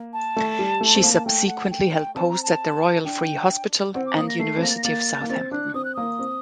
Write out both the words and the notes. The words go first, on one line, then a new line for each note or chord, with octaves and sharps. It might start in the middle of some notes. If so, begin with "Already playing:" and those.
She subsequently held posts at the Royal Free Hospital and University of Southampton.
Already playing: A#3
A5
A3
G3
A3
C4
A#3
A5
A3 G5
F#5
G5
G5
C4 A5
A#5
A5
D4 G5
C4 F#5
D6
A#3 D#6
A#6
A3 C7
C4
A#3 A#6
A6
A#6
A#3 A6
A#3
C4 A6
D4 F#6
C4 D#6
F#6
A#3 D#6
C4